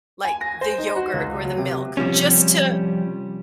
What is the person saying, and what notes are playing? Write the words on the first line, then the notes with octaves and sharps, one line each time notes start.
like, the yogurt or the milk just to,
G#5
A#6
C5
D#4
F#4
C#2
F#3
C3
C3 F3 G3 C#4